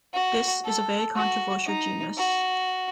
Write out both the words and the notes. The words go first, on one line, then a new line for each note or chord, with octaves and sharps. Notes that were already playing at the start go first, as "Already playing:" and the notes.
This is a very controversial genus.
F#4
A4
F#4
D#4
F#4